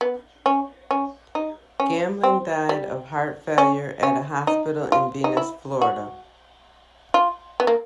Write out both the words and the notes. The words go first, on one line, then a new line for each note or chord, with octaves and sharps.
Gambling died of heart failure at a hospital in Venice, Florida.
B3
C#4
C#4
D#4
C#4
C4
G3
C#4
C#4
D#4
F4
D#4
E4
F#4
F4
B3
A#3